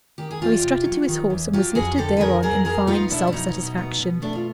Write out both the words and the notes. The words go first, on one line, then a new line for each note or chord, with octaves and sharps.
So he strutted to his horse, and was lifted thereon in fine self-satisfaction.
D#3 G4
G#4
E2 F4 G4
C3
F#3
D#3
E2
F#3 F4 G4
F2 F#4 G#4
D3 G4 A4
B4
F2 G#4 A#4
F#3 G#4 A#4
F2 G#4 A#4
B3 D#4 F4
B2 D4 E4
D4
F#3 D#4
B2
B3
B2
A3 D4
F4